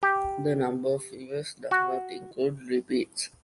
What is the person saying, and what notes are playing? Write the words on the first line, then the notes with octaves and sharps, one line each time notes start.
The number of viewers does not include repeats.
G4
F#4